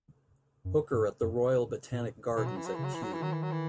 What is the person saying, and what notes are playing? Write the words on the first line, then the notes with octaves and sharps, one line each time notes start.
Hooker at the Royal Botanic Gardens at Kew.
F#2
G#2
F#2
A#2
B2 E3
F#3
E3
F#3
C#3 E3
F#3
E3
F#3
E3
D#3 F#3
E3
F#3
E3